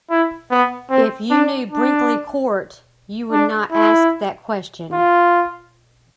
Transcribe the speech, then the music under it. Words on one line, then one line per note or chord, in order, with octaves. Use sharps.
If you knew Brinkley Court, you would not ask that question.
E4
B3
C4
D4
D4
D4
E4
F4